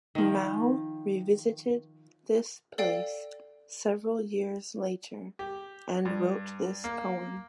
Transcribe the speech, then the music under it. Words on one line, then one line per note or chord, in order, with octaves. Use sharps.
Mao revisited this place several years later and wrote this poem.
D#3 F3
A4 D5 F5 G5
G4
G2
A#3